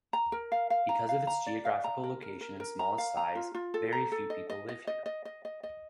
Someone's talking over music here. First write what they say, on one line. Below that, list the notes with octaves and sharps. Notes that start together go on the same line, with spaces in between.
Because of its geographical location and smallest size, very few people live here.
A#5
A#4
F5
F5
A#5
F5
A#5
D5
F5
A#5
A#4
A#4
A#4
A#4
A#5
F5
A#5
F4
F4
A4
A#5
A4
D#5
D#5
D#5
D#5
D#5
D#5
D#5
D#5